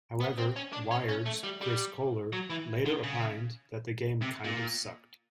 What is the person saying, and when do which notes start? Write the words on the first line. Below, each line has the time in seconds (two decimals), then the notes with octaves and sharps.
However, "Wired"s Chris Kohler later opined that the game "kind of sucked".
0.20 B3
0.38 C4
0.56 C#4
0.72 D4
0.91 C#4
1.09 C#4
1.26 A3
1.44 G3
1.62 G3
2.33 F#3
2.50 E3
2.86 D3
3.03 C#3
4.22 C3
4.44 A#2